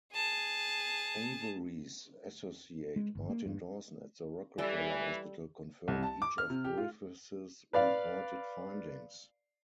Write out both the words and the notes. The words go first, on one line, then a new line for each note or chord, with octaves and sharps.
Avery's associate Martin Dawson at The Rockefeller Hospital confirmed each of Griffith's reported findings.
G#4 A5
G#3
G1
A#3
G2
E3 G3 A4 G5
C2
A5
D6
F6
C3
G4
F4
B4 D5 F5